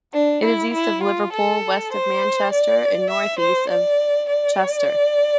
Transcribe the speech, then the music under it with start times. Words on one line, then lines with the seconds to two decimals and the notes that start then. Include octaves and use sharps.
It is east of Liverpool, west of Manchester, and northeast of Chester.
0.14 D4
0.44 E4
0.74 E4
1.04 F4
1.33 A4
1.92 C5
2.52 D5
3.10 E5
3.40 C5
3.70 D5
4.30 D5